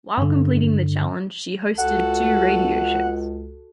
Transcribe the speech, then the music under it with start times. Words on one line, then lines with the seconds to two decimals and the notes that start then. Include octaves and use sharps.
While completing the challenge she hosted two radio shows.
0.18 G2 D3
1.78 C#2 F#4 A4 F#5